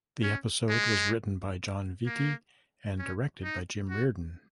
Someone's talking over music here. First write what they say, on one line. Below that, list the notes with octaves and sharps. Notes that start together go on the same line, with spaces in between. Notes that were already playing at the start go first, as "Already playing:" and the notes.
The episode was written by Jon Vitti and directed by Jim Reardon.
C#4
G#3
A#3
C#4
D#4
F#4